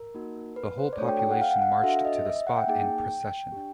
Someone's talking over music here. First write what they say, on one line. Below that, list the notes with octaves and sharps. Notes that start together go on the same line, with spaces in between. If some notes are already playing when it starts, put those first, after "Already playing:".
The whole population marched to the spot in procession.
Already playing: A#4
A#3 D#4 F#4
B4
C5
D5
A3 D4 F#4 A4 C#5
G5
G5
F#5
F5
F#5
F#5
F5
D4 F#4 A4 E5
D#5
E5
E5
F#5
G5
A#3 D#4 G#4 G5
D4 G4